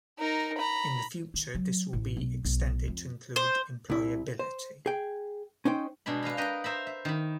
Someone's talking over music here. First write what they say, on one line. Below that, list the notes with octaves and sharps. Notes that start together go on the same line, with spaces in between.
In the future this will be extended to include employability.
D#4 A#4
A#5 B5
D#3
F#3
A1
B1
B1
F2
C5
C2 E4
C5
G#4 G5
C#4 D#4 C5 G5
B2 G#3 D4 B5
B4 F5 A#5 B5
A#4 B4 D#5 G5 A#5
C5 E5 A#5 B5
E5
D#3 B5